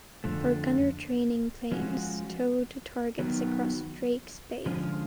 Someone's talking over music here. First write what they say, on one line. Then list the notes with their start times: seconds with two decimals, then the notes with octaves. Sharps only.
For gunner training planes towed targets across Drakes Bay.
0.24 F2 D3 F3 A3
1.72 F3 G#3 C#4 F#4
3.19 D#3 F#3 B3
4.66 D3 F3 G#3 C#4 F4